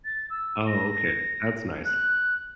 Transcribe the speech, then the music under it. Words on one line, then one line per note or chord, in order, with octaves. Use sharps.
Oh, okay. That's nice.
A6
E6
A#6
F#6